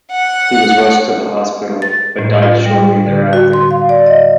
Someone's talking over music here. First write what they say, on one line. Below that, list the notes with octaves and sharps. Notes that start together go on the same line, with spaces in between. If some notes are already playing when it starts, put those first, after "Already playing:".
He was rushed to the hospital, but died shortly thereafter.
F#5
A6
A2
F4
G3
D3
F#4
C6
F5
D5
D#5